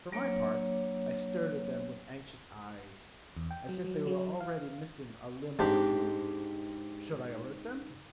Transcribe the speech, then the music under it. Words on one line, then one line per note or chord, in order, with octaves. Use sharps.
For my part, I stared at them with anxious eyes, as if they were already missing a limb or two. Should I alert them?
F#3 A#3 D4 C#5
E2
G5
F#3
F#3
F#3
F5
G#2 C4 D4 G4